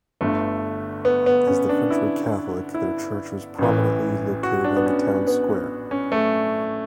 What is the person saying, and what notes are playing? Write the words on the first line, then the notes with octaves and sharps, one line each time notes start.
As the French were Catholic, their church was prominently located on the town square.
G1 G2 D3 A3
B3
B3
C#4
D4
E4
E4
A1 A2 E3
F#4
D4
B3
C#4
B3
B3
B3
C#4
A3